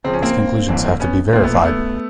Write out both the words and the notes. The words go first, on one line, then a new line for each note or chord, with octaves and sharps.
These conclusions have to be verified.
C#2 C#3 F3 C4
C#4
A#3 C4
A1 G2 E3
B3 C#4
B1 A#2 F3 A#3 C4
A3 B3
A#3
A3 B3